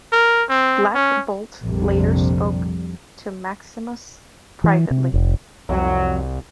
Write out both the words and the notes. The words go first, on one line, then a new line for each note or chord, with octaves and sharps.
Black Bolt later spoke to Maximus privately.
A#4
C4
C#4
A#1 F2 C3 G3
E3
C3
F1
C2 F2 F#3